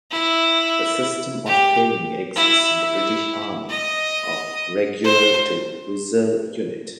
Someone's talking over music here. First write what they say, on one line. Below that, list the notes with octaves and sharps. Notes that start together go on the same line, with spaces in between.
A system of pairing exists in the British Army of Regular to Reserve unit.
E4
G4
E4
E4
D#5
C5